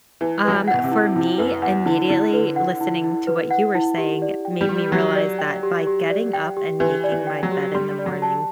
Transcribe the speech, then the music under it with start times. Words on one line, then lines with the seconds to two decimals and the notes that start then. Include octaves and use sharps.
Um, for me, immediately listening to what you were saying made me realize that by getting up and making my bed in the morning,
0.21 E3 E4
0.44 F#3 B4
0.52 E3
0.68 F#5
0.74 B2
0.84 C3
0.92 E4
1.16 C3 E4
1.38 F#2 B4
1.62 E2 F#5
1.86 D3 E4
2.09 D3 E4
2.33 B4
2.56 F#5
2.81 E4
3.04 E4
3.27 B4
3.51 F#5
3.75 E4
3.98 G4
4.22 D5
4.45 G5
4.61 G3
4.69 G4
4.92 F#3 G4
5.16 D5
5.39 G5
5.63 G4
5.87 G4
6.10 D5
6.33 G5
6.57 G4
6.80 E3 G4
7.04 D5
7.12 E3
7.27 G5
7.43 F#3
7.52 G4
7.74 G3 C6
7.99 D5
8.06 F#3
8.22 A5